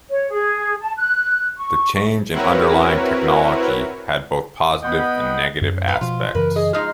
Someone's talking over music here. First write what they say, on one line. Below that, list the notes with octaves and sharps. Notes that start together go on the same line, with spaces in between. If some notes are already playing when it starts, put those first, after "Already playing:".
The change in underlying technology had both positive and negative aspects.
C#5
G#4
A5
F#6
C#6
C4 E4 F#4 A#4 B4 C#5
B3 D#5 F#5 G5 B5
F#2
A#2 B4 F5
B2 F3 F4
F#2 C#3 E3 A#4 B4
G#4 D#5
F3 G#3 D#4 F6